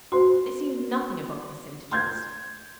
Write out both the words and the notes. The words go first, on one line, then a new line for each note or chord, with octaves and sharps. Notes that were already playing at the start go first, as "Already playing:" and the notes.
They see nothing above percentages.'
F#4 C5 C6
C6 G6 G#6